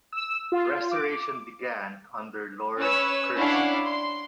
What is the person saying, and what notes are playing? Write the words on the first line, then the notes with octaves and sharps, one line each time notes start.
Restoration began under Lord Curzon.
E6
F4
D6
C#4 B4 C#5 E6
C#4 D4 E4 F5 F#5
C6